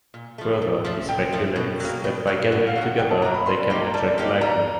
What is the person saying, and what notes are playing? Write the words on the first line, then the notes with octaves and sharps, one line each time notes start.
Further, he speculates that by gathering together, they can attract lightning.
A#2
F3 A3
A#2
F3 A3
A#2 G5
F3 A3
B2
F#3 A#3
B2
F#3 A#3
B2 F#5
F5
F#3 A#3
F#5
B2 G5
A5
F#3 A#3 A#5
B5
G3 C6
A#3 D#4 G4 C6
A#5
G3 A5
A#3 D#4 G4
G3 A#5